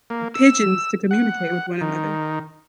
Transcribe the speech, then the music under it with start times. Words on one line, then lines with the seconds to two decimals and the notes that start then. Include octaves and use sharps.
pigeons to communicate with one another.
0.10 A#3
0.34 E6
1.11 F#5
1.81 D#3